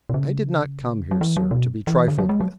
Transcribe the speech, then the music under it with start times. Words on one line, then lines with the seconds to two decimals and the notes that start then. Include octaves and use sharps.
"I did not come here, sir, to be trifled with."
0.09 B2
0.14 C#3
1.11 F#3
1.21 E3
1.37 F#3
1.51 B2
1.87 E3
2.08 D3
2.18 F#3
2.29 G#3
2.41 F#3